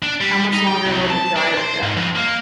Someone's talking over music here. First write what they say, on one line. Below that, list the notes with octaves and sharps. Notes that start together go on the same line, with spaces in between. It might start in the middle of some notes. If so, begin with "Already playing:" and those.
How much longer will the dryer go?
D4
G3
D#4
G5
C2
A5
D4
C5
G#2
F2
A#3